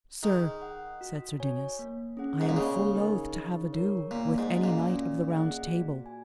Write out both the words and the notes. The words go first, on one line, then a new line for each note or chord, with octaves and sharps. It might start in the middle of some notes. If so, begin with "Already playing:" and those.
Sir, said Sir Dinas, I am full loath to have ado with any knight of the Round Table.
D#3 G#4
F#5
F#4
C#5 G#5
A#3
C#4 G#4 F#5
G#2
A#2
C#3 A#3
D#4 A#4 D#5 G#5
D#4
A#4 C#5
A#2 A#3
G#2
C#4 F#4 D#5
A#2
C#4
G#4 D#5 F#5
F#4
G#5